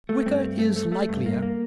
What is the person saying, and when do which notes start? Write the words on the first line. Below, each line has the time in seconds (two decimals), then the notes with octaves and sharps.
"Wicker IS likelier."
0.09 A3
0.26 G2 C4
0.42 G2
0.59 A3
0.76 A3
0.92 A3
1.09 G2
1.26 A#3
1.42 A#3